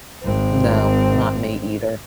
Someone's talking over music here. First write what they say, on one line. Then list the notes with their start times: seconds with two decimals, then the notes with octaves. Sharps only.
No, not me either.
0.23 G#1 C4